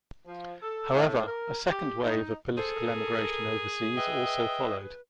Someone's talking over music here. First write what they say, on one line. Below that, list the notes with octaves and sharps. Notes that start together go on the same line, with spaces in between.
However, a second wave of political emigration overseas also followed.
F3
A4
A2
A#4
G4
D#4
G#4 A4 C5
A#4
B4 D#5 E5 G5